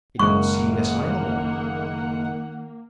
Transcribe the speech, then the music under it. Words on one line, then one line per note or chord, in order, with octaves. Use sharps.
"I don't see Miss Langmore."
F#1 D#3 G#3 A#3 F#5 C#6 F#6